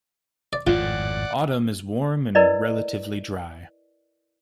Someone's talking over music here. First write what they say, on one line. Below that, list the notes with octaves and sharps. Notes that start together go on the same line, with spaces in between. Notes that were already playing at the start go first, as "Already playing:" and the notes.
Autumn is warm and relatively dry.
D5
G#1 F2 A2 F4 D5 F#5
E4 A#4 B4 D5 D#5